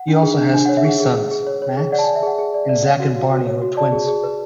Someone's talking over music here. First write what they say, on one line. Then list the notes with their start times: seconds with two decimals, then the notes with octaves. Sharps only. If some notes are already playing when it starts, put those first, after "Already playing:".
He also has three sons: Max, and Zak and Barnie who are twins.
Already playing: F#5
0.08 D4
0.23 G#4
0.38 D4
0.53 D4 G#5
0.65 C#5 F#5
0.77 E5
0.85 G#4 F#5
1.00 G#4
1.16 G#4
1.31 G#4
1.47 C#5
1.62 C#5
1.77 G#4
1.92 D5 F#5
1.99 A5
2.04 D5 G#5
2.15 E5
2.23 G#4 F#5
2.39 G#4
2.54 D5
2.69 D5
2.85 C#5 F#5
3.00 F#4
3.16 F#4
3.31 F#4
3.47 C#5
3.62 F#4
3.77 D5 A5
3.92 G#4
4.07 G#4
4.24 B4